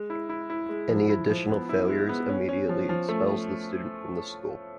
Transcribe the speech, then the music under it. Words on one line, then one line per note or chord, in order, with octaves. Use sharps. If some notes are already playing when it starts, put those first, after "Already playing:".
Any additional failures immediately expels the student from the school.
Already playing: G#3
E4
E4
E4
G#3
F3
E4
F3
B3
E4
G#3
B3
C#4
C#4
F3
F3
A3